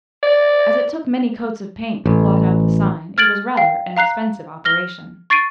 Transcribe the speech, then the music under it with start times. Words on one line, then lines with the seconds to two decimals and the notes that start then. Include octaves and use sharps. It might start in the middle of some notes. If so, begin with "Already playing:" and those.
As it took many coats of paint to blot out the sign it was rather a expensive operation.
0.23 D5
2.05 A1
3.18 F6 G#6 A6 D7 F#7
3.57 F5 G5
3.97 F5 A#5 F#6 C7
4.65 F6 A#6 G7
5.30 C#6 A6 C7 D7 D#7